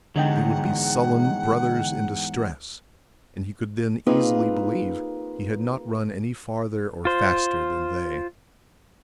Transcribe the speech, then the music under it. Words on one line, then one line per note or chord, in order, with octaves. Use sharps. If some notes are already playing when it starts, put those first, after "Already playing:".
They would be sullen brothers in distress, and he could then easily believe he had not run any farther or faster than they.
E2 G#2 D3 F#3 D#5 F#5 G5
A#3 C4 D#4 F4 G#4 B4
F4 C5